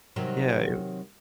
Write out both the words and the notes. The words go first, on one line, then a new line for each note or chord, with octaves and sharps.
Yeah, it w
C3 D#3 F#3